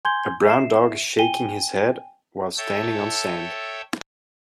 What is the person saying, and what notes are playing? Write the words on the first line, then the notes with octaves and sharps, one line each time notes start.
A brown dog is shaking his head while standing on sand.
G#5 C6 G6 G#6 G7
E5 C7 E7
G5 G#5 D#7 G7
A4 C#5 E5 G5 A5